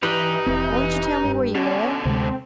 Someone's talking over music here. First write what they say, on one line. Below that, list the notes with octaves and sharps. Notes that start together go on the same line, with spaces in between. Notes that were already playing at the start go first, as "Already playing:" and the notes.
Won't you tell me where you live?
E3 D#4 G4 B4
F1 E3 C4
G2
B2 D3 C#4
D2 C3 G#3 C4